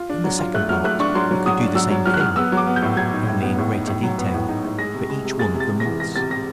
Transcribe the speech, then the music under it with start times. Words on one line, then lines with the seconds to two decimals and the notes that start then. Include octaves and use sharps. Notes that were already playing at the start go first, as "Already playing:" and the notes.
In the second part we could do the same thing, only in greater detail, for each one of the months.
Already playing: F4
0.09 D4
0.24 F#3
0.39 F4
0.54 A3 F#6
0.69 F#3 F6
0.84 A3 F#6
0.99 D4 C#6
1.15 F#3 C6
1.31 F#3
1.46 F#3 D#6
1.61 D4
1.75 F#3 E6
1.91 F#3
2.06 F#3 F6
2.14 F#6
2.20 F#3 F6
2.36 B3 E6
2.52 F#3
2.57 D6
2.67 B3
2.76 G6
2.82 A2
2.97 F#3 G#6
3.13 D#4
3.27 A2
3.42 B3
3.58 A2
3.73 D#4
3.87 A2
4.03 F#3
4.18 B3
4.34 A2
4.49 D#4
4.64 A2
4.78 G#3 A#6
4.94 C3
5.10 G#3
5.25 C3
5.39 G#3 A6
5.54 C3
5.60 A6
5.69 C3
5.80 A#6
5.85 E3
6.00 G#3 A#6
6.16 C3 A6
6.30 C3 A#6